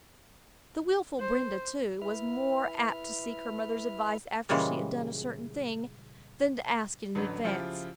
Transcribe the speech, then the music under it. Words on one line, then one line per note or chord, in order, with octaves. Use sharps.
The wilful Brenda, too, was more apt to seek her mother's advice after she had done a certain thing than to ask it in advance.
C5
E4 B4 E5 F6
A#2 C#3 E3 G3 G#3
A1 D3 F#3 B4
C#3 F3 E4 F4 G4